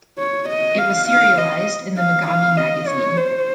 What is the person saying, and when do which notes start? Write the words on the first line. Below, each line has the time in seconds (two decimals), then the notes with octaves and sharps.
It was serialized in the Megami Magazine.
0.18 C#5
0.49 D#5
0.78 F5
1.08 F5
1.38 D#5
1.97 F5
2.27 F5
2.57 D#5
2.87 C#5
3.17 C5